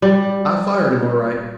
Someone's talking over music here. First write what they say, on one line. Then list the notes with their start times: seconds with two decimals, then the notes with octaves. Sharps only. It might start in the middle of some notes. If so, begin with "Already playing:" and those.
I fired him, all right.
0.02 G3